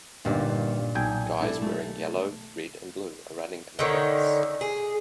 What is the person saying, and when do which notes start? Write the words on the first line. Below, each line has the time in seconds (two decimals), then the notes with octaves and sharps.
Guys wearing yellow, red, and blue are running in the grass.
0.25 G1 G2 A#2 D#3
0.95 B1 G5 G#5
1.41 D4 E4 A4
1.61 A3
3.79 D3 D#3 C4 C#4
4.61 G#4